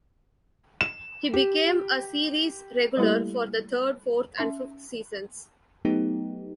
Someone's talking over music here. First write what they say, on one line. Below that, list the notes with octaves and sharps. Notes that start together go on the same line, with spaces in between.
He became a series regular for the third, fourth, and fifth seasons.
E7
G4
G3 A3 A#3 E4 G4 A4
C#4 D#4 E5 C6
F#3 A3 B3 D#4 G4